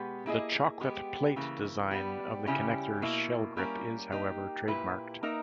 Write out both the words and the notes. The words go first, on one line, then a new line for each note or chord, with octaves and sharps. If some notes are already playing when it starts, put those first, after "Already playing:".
The "chocolate plate" design of the connector's shell grip is, however, trademarked.
Already playing: B2 G#3 B3 G4
A#3 E4 G#4 D#5
G#3 B3 G4
C#3 E3 A#3
G3 B3 G4
C#3 G3 C#4 E4 G4
B2 A#3 E4
G3 A#3 C#4 E4 A#4
A#3 D#4 G4
A#2 A#3 E4 G4 B4
A#3 D#4 A#4 E5